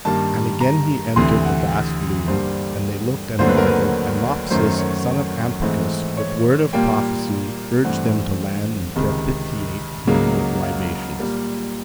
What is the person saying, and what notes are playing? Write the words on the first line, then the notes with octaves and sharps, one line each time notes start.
And again he entered the vast gloom; and they looked and marvelled; and Mopsus, son of Ampycus, with word of prophecy urged them to land and propitiate him with libations.
G2 D#3 G3 A#3 A5
A#5
D2 C3 E3 C6
F#5
G2 D3 G3 A#3 C5
D#2 D3 F#3 A3 C4 C5
B4
A#4
B4
F#2 D#3 F#3 A3 C5
C#5
G#2 E3 A3 C4
C#5
A#2 G3 A#3 G5
G2 E3 A3 C4 F#5
C#2 C3 D#3
C#2 C#3 F#3 A#3
F5
A#2 G3 A#3